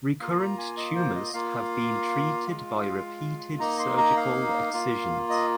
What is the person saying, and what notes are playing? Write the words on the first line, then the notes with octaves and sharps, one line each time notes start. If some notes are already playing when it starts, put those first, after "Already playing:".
Recurrent tumors have been treated by repeated surgical excisions.
A#3 F4 F5
A#5
G#5
D#5
C5
D#5
A#3 F4 F5
G#3 F4
A#3 D#4 A#5
C6
A#5
F5
A#3 F4
D#5